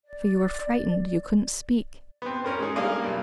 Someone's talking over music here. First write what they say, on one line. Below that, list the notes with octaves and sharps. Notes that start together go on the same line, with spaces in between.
For you were frightened; you couldn't speak.
D5
B3 C4
C#4 A#4 C5
G#3 D#4 G#4
G3 A#3 D4 G#4 A#4 F5
B1